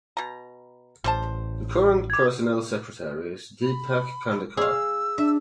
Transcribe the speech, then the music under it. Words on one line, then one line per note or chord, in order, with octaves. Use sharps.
The current Personnel Secretary is Deepak Khandekar.
B2 A#5
A1 G3 C5 A5
D6 G#6
B5
G#4 F5 E6
D4 E5